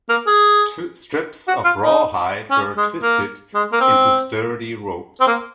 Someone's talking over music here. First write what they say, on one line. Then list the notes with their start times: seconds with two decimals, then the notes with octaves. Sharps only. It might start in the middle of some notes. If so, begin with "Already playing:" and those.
Strips of rawhide were twisted into sturdy ropes.
0.09 A#3
0.27 G#4
1.48 F#4
1.64 F4
1.82 D#4
2.51 C#4
2.77 G#3
3.03 A#3
3.54 G#3
3.73 A#3
3.81 C4
5.21 C4
5.28 A#3